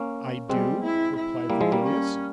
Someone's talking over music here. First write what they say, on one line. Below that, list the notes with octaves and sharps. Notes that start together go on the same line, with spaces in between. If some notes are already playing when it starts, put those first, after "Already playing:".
'I do,' replied Virgilius.
Already playing: A#3 C#4
G3 G#3 C4
E4
E4
G3 A#3
F3 G#3
G3 A#3
C#4